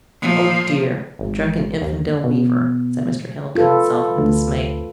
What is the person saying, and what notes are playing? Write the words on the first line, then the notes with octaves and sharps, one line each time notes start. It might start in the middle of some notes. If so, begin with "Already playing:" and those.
'Oh dear! a drunken infidel weaver!' said Mr. Hale to himself, in dismay.
A#2 F3
G#1
D#2
B2
F4 A4 B4
D2